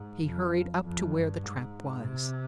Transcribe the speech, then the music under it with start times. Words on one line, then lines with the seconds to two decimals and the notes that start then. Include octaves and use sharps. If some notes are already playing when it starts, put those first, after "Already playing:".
He hurried up to where the trap was.
Already playing: G#2
0.25 F2
0.85 F2
1.14 G2
1.43 G#2
2.03 C3